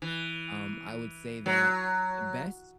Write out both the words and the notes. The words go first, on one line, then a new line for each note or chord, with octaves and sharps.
um, I would say that the best
E3
F#3